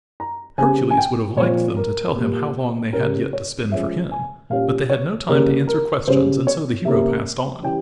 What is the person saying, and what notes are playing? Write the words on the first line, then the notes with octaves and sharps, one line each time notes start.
Hercules would have liked them to tell him how long they had yet to spin for him, but they had no time to answer questions and so the hero passed on.
A#5
C#3 G3 C4 G#5
G#5
G5
A#2 F3 C4 C#5
A#4
A#2 G3 A#3
C#3 G3 C#4 A#4
C#5
F3 G#3 C#4 E5
G#5
A#2 G3 C#4 F5
C#5
C#3 G3 A#3 C#4 A#4
A#4
C#3 G3 C#4 C5
C#5
C3 G3 A#3 C#4 E5
E3 G3 C#4 G5